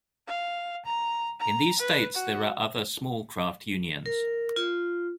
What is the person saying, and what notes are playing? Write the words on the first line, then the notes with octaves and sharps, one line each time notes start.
In these states there are other small craft unions.
F5
A#5
A#5
B4
F#4
A#4
F4